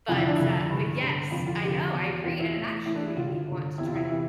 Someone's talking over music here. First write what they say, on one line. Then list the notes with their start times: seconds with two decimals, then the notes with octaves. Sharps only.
but, uh, but yes, I know. I agree. And it actually made me want to try to
0.08 F2 D3 F4
0.17 E4
0.27 D4
0.36 F2 D3 E4
0.70 G2 D3
1.01 G2 D3
1.31 F2 D3 F4
1.46 F4
1.63 F2 D3 G4
1.93 E2 B2
2.24 E2 B2 F4
2.39 E4
2.55 A2 E3
2.85 A2 E3 E4
2.95 D4
3.06 E4
3.17 G2 D3 F4
3.47 G2 D3
3.78 E2 C3 E3 E4
3.87 F4
3.96 E4
4.10 C3 E3